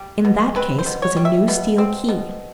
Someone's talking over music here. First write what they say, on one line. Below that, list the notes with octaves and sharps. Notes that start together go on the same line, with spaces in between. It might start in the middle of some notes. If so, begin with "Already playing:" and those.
In that case was a new steel key.
Already playing: G3
B2
C4 B4
C5
B2
C#5
G3
E5
B2
C4
B2